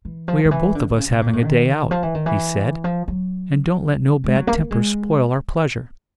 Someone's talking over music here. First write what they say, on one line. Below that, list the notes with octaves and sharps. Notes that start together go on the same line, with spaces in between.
'We are both of us having a day out,' he said, 'and don't let no bad tempers spoil our pleasure.
E3
F3
D#3
E3
D3
D3
C#3
C3
A#2
A2
D#3
F3
E3
D#3
E3
F3
F#3
G#3
F#3
A#3
A#3
G#3